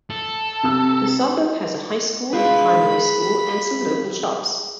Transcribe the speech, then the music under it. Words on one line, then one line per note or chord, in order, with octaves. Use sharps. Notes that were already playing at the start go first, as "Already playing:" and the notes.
The suburb has a high school, primary school and some local shops.
A4
C3 E6
G#4 B4 F5 B5